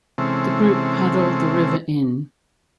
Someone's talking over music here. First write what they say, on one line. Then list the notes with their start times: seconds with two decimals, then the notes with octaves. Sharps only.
The group paddled the River Inn.
0.18 C3 E3 G#3 C4 C#4 A4